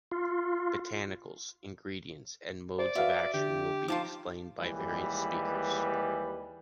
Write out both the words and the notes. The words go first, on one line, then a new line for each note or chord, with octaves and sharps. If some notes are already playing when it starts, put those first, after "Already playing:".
Botanicals, ingredients and modes of action will be explained by various speakers.
F4
C5 D5
F#4 B4 E5 F5
D3 G4
F3 D#4 F4 A5 D6
D#2 E3 G3 G#3 B4